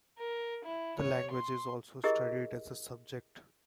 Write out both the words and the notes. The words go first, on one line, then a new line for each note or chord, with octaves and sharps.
The language is also studied as a subject.
A#4
E4
C#5
C6
E4 G4 G#4 A#4 D#5